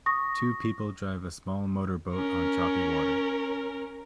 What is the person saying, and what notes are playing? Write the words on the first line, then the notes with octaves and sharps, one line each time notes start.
Two people drive a small motor boat on choppy water.
C#6 D#6 A#6
C#4 A#4